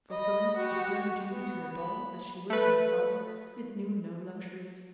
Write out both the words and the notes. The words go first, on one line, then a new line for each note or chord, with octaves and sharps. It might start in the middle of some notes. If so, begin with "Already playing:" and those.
Fulfilling a stern duty to her doll, as she would to herself, it knew no luxuries.
D#5 B5
F#4 G4
B3
B5
A3 B4